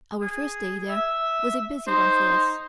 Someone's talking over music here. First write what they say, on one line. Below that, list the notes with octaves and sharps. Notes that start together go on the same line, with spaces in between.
Our first day there was a busy one for us.
G#4
E5
D#4 C5